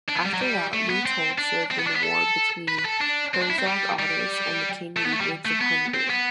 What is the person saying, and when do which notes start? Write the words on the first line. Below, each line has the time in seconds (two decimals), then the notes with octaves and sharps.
After that Leutold served in the war between Herzog Ottos and the king Ludwigs of Hungary.
0.08 D4
0.17 B3
0.25 G3
0.33 F#3
0.41 G3
0.73 A3
0.90 B3
1.06 C4
1.38 D4
1.71 C4
1.79 B3
1.87 D4
1.96 B3
2.03 A4
2.69 B4
2.79 B4
2.85 A4
3.01 D4
3.34 C4
3.42 D4
3.50 E4
3.58 C4
3.66 G3
3.99 G3
4.97 A3
5.05 B3
5.13 A3
5.21 G3
5.46 A3
5.61 B3
5.94 C4
6.10 B3